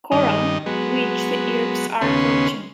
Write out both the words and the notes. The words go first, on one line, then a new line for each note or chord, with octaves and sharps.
Corral, which the Earps are approaching.
G2 D#3 D#5
F#3 G#3 B3
D#2 C#3 B3 C#4 C6